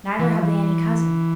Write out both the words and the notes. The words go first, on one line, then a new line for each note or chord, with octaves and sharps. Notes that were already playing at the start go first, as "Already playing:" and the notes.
Neither have they any cousin.
E3
F3
E3